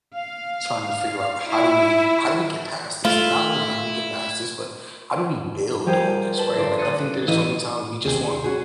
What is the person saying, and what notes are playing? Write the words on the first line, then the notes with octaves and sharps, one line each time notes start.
trying to figure out how do we how do we get past this? And not only how do we get past this, but how do we build on this, right? Like, I think there's so many times we just want
F5
E4
A3 E4 F4
F3 G3 G4 G#4 A#4 C5
B4 A5
G1 D5 C6
D#6 F#6 A6 A#6 C#7 D#7
A1 E3 E4 D#5 F5
D#2 C3 G4 G#4
C#4 F#4 G#4